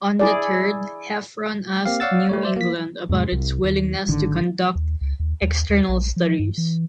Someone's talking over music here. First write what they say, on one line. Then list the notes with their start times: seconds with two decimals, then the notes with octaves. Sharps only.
Undeterred, Heffron asked New England about its willingness to conduct external studies.
0.19 E4 G#4 D5
1.85 A#3 C4 G4 F5
2.00 C#5 D5 F5 F#5 E6 A6
2.29 G3 A3 C#5
2.43 C5 D5 E5
2.56 A#3 B6
3.09 E2 G#2 C3 G#3
3.32 C2
3.64 D#2
4.08 G#1 D3 D#3
4.75 D#2
5.01 C#2
5.20 D#2
5.42 D#2
5.69 D#2
5.89 A#1
6.16 F3
6.39 G2
6.58 E3